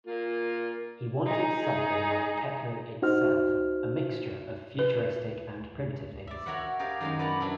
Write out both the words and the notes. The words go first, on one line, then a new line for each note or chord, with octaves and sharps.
He wanted something like techno itself, a mixture of futuristic and primitive things.
A#3 F4
D#4 G#4
D#4 F#4 C5 F6
B4
D5 E5
F#4 A#4 C#5 E5 F#5
G4 G#4 A#4 D5 F5
F#2 D#3 G#3 F#4 F5
B4 D5 F#5 A5 A#5
F#3 D4 E4 F#4